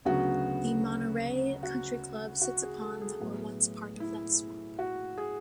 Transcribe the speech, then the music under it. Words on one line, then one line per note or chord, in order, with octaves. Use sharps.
The Monterey Country Club sits upon that were once part of that swamp.
D2 C#3 F#3 B3 F#4
F#4
F#4
G#4
A4
G#4
A2 F#3 B3
E4
F#4
G#4